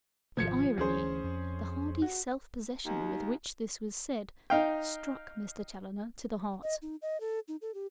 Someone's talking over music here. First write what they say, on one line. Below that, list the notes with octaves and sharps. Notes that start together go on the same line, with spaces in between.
The irony, the hardy self-possession with which this was said struck Mr. Challoner to the heart.
G#1 C3 F3 G#6 C#7
D2 E3 C#4 G#4 C5
F2
F#4
D#2
D#4 F5 G5
D#5
D#4
D#5
A4
D#4
A4
G4